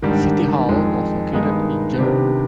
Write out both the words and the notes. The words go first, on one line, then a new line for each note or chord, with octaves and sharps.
City hall was located in Joure.
G#2 D#3 G3 D4 G4
F2 D#3 G#3
G2 D#3 G#3 B3 D#4
C3 D#3 B3 D4 G4